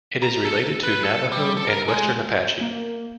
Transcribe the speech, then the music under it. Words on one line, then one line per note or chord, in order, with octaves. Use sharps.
It is related to Navajo and Western Apache.
A#5
A4
B4
A4
G3
A4
A#4
G#3
A#3